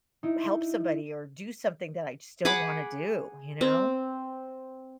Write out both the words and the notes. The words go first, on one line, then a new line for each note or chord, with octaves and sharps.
help somebody or do something that I just don't wanna do, you know?
D#4 E4
G#4 F#5 B5 D6
C4